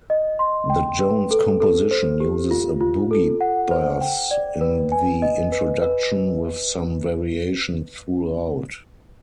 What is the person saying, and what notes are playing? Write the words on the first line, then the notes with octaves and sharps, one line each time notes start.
The Jones composition uses a boogie bass in the introduction with some variation throughout.
D#5
C6
G5
B4
A4
A4
C5
G4
F4
F4
A4
F#5
C5
G5
D5
B4
G#5
D#5
B4
B4